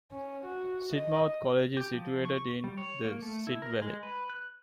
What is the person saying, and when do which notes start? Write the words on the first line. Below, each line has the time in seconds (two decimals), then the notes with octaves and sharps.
Sidmouth College is situated in the Sid Valley.
0.12 C#4
0.45 F#4
0.93 D#5
1.77 G4
1.94 F3
2.25 C#6
2.64 G3
2.78 C#5
3.05 A#3
3.22 A3
3.47 E4
3.62 A#4
3.82 G#3
4.03 B4
4.30 F#6